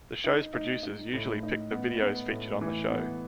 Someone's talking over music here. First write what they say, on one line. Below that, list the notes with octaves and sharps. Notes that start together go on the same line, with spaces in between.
The show's producers usually pick the videos featured on the show.
D#4
D#4
D#4
A2
D#4
B3
B3
A2
E3
B3